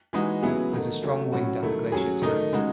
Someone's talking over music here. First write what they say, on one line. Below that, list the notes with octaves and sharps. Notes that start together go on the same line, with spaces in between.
There is a strong wind down the glacier to-night.
E3 G#3 D#4 F#4
C#3 F#3 B3 E4 G#4
D#3 A3 D#4 F#4
F#3 A3 C#4 F#4
A2 F#3 C#4 F#4
D#3 F#3 A3 E4
F#3 C#4 G#4
D#3 A3 D#4
C#3 G#3 D#4 F#4